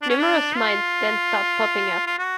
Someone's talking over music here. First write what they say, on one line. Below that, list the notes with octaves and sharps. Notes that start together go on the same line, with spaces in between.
Numerous mines then start popping up.
D4
C#4
D4
F4
F4
F#4